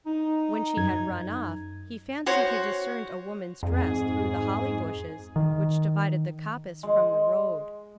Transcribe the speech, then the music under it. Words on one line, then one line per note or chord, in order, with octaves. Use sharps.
When she had run off he fancied he discerned a woman's dress through the holly-bushes which divided the coppice from the road.
D#4
F#2 G#6
F#4 C5 C#5
F2 G#2 G#4
D#3
G#3